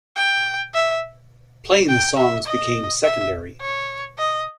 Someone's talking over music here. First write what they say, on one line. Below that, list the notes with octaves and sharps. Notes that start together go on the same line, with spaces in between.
Playing the songs became secondary.
G5
E5
G5
E5
D#5
E5
C#5
D#5